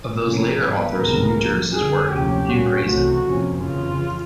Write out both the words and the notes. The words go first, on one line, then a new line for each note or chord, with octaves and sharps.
Of those later authors who knew Duris's work, few praise it.
C3 F3 A#3 C#4
G#2 E3 G3 B3 B4
C#2 C3 D#3 G#3 B3 A#4
A#2 F3 A#3
F2 D3 G3 G#4
D2 C3 F3 A#3 C#4 G4
A#2 G3 A#3 C#4 F#4
C2 C3 E3 A3 F#4
F2 C3 F3 A#3 C#4
F2 C#3 E3 F4